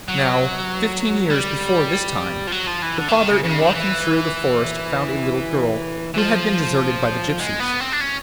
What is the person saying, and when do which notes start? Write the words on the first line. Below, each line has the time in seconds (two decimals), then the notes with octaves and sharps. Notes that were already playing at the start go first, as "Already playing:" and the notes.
Now, fifteen years before this time, the father in walking through the forest found a little girl, who had been deserted by the gypsies.
0.08 F#3
1.30 G3
2.47 F3
2.52 F#3
2.67 F3
2.82 E3
2.98 D3
3.08 E3
3.13 D#3
3.28 C#3
3.44 C#3
3.59 D3
3.67 D#3
3.74 E3
6.14 E3
6.18 F3
7.39 G#3
7.60 B3
7.80 C4
7.92 D4
8.01 C#4